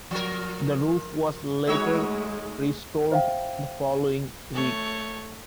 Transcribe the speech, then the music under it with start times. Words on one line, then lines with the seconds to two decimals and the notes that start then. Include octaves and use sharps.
The roof was later restored the following week.
0.11 F3 A#4
1.67 G#3 A3 D#4 F#4 C#5
3.12 C5 E5 F5 G5
4.54 A3 C#5